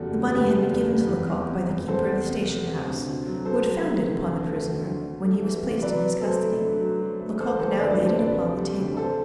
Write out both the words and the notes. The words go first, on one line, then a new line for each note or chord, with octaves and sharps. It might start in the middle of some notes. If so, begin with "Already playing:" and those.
The money had been given to Lecoq by the keeper of the station-house, who had found it upon the prisoner when he was placed in his custody. Lecoq now laid it upon the table.
Already playing: F#1 E2 G3 F#4 A4
F#1
F#1 G4 B4
G3
E2
C3
E2
E2
C3
E2
E2 A4 C5
E2
C3
C3
C3
D2
D2
F#3
F#3 A4 C5
F#3
C3
D2
D2
A3
D2
D2
D2
A3
E3
C3
F#3 B4 D5
F#3
F#3 A4 C5
A3
D3
F#3
F#3
A3
E3 A4 C5
E3 A4 C5
D2 B4 D5
D5
C3 A4 C5
D2 B4 D5
C3
G3
D2
D3 A4 C5